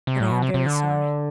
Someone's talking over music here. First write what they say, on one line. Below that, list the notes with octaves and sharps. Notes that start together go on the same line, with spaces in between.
But I am very sorry.'
C3
A2
B2
C3
C3
D3